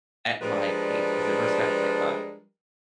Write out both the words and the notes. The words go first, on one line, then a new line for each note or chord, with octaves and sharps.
at my pace, 'cause it respects my time.
F3 G3 G#3 D4 A#4 B4